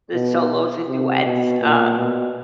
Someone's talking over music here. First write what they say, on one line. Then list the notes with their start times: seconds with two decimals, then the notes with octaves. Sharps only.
the solos and duets. Um,
0.14 B2
0.88 C3
1.25 B2
1.62 A#2
1.98 B2